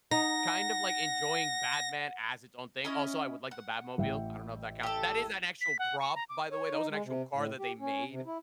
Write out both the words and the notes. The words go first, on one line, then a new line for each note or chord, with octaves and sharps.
kind of, like, enjoying Batman as its own thing. Also, I would like the Batmobile. I don't know if that count That is an actual prop, by the way. That was an actual car that they made,
D#4 F#5 A#6
C#4 E4 D#5
F#5
A1 E5 G5
G4 A4
B6
F#5
C#6
A#5
D6
C#5
D#4
G#3
C3
A2
G4
C#4
C3
E4